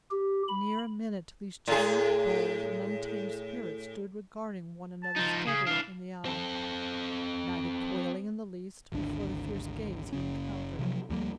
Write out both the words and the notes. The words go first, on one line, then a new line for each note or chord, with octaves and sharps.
Near a minute these two bold and untamed spirits stood regarding one another steadily in the eye, neither quailing in the least before the fierce gaze he encountered.
G4
B5
A2 G#4
A5
F3 D#4
C#3 G#4
E3 D4 F5
C4 A4
G#1 D2 D4
F#1 C#3 C#4
C3 F3 F#3
D2 F3 G3 A#3